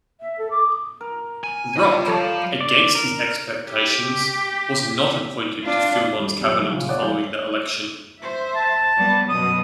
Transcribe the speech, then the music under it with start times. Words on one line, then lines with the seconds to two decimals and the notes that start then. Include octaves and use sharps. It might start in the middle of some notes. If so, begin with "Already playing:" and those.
Roch, against his expectations, was not appointed to Filmon's cabinet following the election.
0.20 E5
0.38 A4
0.51 D6
0.66 D#6
1.01 A#4
1.44 G#5
1.77 G3 F4 G4 D#5 B5
2.08 F3 A4 C#5 F5 A5
2.61 D5
2.95 A#4
3.70 G4
5.63 D4 F4
6.19 G3
6.40 D1 F2 A#2 G4
6.58 C2 F2 A#2 D#3 F#3
6.73 A#2 C#3
6.89 C#5 D5 F#5 D6 D#6 F#6
7.02 E3 G3 F5 G#5 G6 G7
8.19 C5 E5
8.56 A5
8.97 G3 B3
9.29 F#2 B2 D#6